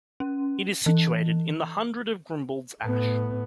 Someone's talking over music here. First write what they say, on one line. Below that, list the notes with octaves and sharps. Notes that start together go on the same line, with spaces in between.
It is situated in the Hundred of Grumbald's Ash.
C#4
E3
A2 B3